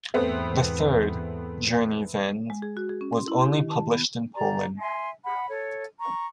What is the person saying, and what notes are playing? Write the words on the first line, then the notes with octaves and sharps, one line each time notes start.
The third, Journey's End, was only published in Poland.
E2 G#2 A3 B3 C4
G#3
G#4
F#4
G#4
C#4
C6
E4
G4
D#3
A5
B3
G4 D5 A#5
E5 G#5 C6
F#5 B5
A4 C#5
A#5 C#6